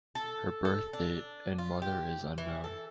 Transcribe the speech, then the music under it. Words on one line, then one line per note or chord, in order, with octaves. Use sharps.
Her birth date and mother is unknown.
A4
A4
D4
F4
G4
E3
A4